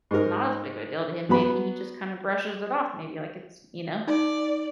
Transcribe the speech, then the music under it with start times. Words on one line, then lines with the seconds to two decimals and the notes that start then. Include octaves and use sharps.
it's not as big of a deal to him. Maybe he just kinda brushes it off. Maybe, like, it's you know?
0.11 G#2 A#4
1.29 F#3 B3 B5
4.07 D#4 D5